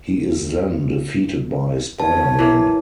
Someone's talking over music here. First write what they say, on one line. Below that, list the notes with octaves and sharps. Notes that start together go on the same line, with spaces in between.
He is then defeated by Spider-Man.
C#5 A5
E3 A#3